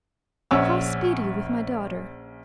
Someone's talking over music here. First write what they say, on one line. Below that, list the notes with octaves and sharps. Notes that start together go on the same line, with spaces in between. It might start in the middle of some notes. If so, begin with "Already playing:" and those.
"How speed you with my daughter?"
A#1 C#4 C#5 F#5 G#5 E6